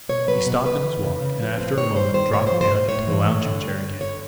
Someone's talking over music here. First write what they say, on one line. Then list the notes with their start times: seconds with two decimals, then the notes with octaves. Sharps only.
He stopped in his walk, and, after a moment, dropped down into the lounging chair again.
0.09 B2 C#5
0.27 F#3 B4
0.46 B2
0.65 C#3 B4
0.84 E3
1.03 C#3
1.21 C#3
1.40 F3
1.58 C4
1.77 D#3 C#5
1.96 G3 C5
2.14 D#3 C5
2.33 A2 C#5
2.47 F3 C5
2.61 C5
2.70 A2
2.75 C5
2.89 A2 C#5
3.07 E3
3.26 A2
3.45 D3
3.63 G3
3.82 D3
4.01 D3 C#5